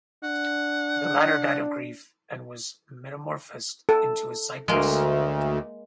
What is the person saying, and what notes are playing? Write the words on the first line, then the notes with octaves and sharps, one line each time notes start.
The latter died of grief, and was metamorphosed into a cypress.
D4 F#5
A4
D2 G#3 A#3